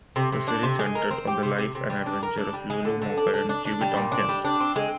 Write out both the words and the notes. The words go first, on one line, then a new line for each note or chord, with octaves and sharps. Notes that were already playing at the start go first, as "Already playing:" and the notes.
The series centered on the life and adventures of Lulu Moppet and Tubby Tompkins.
C3
C3
D4
C3
G#3
A#4
C4
G4
C3
C3
C3
G3
D4
A#4
D4
G3
G#3
D3
D3
D4
D4
D4
D4
G3
A#2
D4
G3
D4
C4
G#3